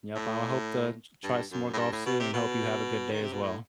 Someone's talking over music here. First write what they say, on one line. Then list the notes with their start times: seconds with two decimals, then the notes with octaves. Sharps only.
Yep, I hope to t try some more golf soon and hope you have a good day as well.
0.15 A2
1.23 G2
1.51 F#2
1.73 A2
1.78 G2
1.92 A2
2.06 B2
2.20 C3
2.33 B2
3.12 D#3
3.22 C3
3.33 B2
3.43 A2